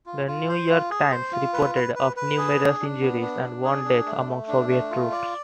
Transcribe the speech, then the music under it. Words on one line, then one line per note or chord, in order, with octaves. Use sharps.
"The New York Times" reported of numerous injuries and one death among Soviet troops.
F4
F4
C5
F4
G#4
C5
F4
B4
B4
B4
B4
G#4
D4
D4
B3
D4
D4
G#4
D4
A3
A3
D4
A3
F4
D5